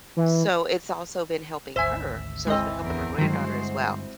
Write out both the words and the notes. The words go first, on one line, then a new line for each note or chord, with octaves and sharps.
So, it's also been helping her, so it's been helping my granddaughter as well.
E3
G#1 D2 C5 E5 G#5
E3 G#3 C4 D#5
E2 A#4
G2 D3 D#3 F#3 G#3 F#4 C5